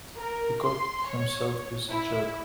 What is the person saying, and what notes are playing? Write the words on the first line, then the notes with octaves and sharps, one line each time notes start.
He caught himself with a jerk.
A#4
C6
C#5
E4